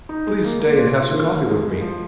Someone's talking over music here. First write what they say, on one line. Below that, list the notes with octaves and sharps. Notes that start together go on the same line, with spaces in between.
"Please stay and have some coffee with me."
D#4
G#3
A#3
A#3
F4
F4
D#3
D#3
G#3
G#3
F3